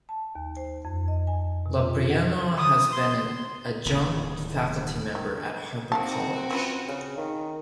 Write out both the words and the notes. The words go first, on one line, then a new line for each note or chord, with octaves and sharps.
Loprieno has been an adjunct faculty member at Harper College.
A5
D#2
C5
F2
D#5
G#5
B2
F4
F#5
D#6
C6
D1 D#2 A2
D#3
D#3 C4 F#4 F5 A5
C#4 F4 B4
C#3
D#3